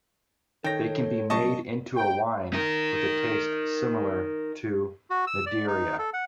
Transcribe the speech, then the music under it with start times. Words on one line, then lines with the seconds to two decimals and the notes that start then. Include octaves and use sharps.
They can be made into a wine with a taste similar to Madeira.
0.64 D#3 A4 C#5 G5 A#6
1.30 C2 F#2 A#2 D#5 A5 C#6
1.97 G5
2.53 D#4 A#4
5.10 F#4
5.27 E6
5.46 D5
5.67 D#4
5.99 A4
6.13 F#5